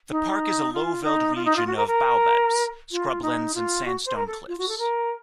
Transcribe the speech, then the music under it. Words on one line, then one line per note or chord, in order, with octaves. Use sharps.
The park is a lowveld region of baobabs, scrublands and sandstone cliffs.
D#4
F4
D#4
F4
D#4
F4
F#4
A#4
A#4
F4
D#4
F4
F#4
C5
A#4
A4
F4
F#4
A4
A#4